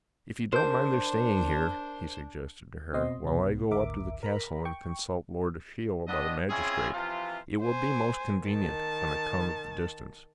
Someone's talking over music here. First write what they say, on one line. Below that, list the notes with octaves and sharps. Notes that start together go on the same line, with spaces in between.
"If you don't mind their staying here," he suggested to her, "while I go up to the castle and consult Lord Ashiel about a magistrate, it will be most convenient, on account of the distance."
D4 A#4 C5 G6
B2 C4 D#5 C6
C2 B2 B3
G#1 D2 A#4 E5 D6
A#4 A#5 B5
G5 C#6
B3 C4 D4 D#5
G#3 C4 C#4 E4 F4 G#4
C3 E3 F3 F4
C5 G#5
D#3 A5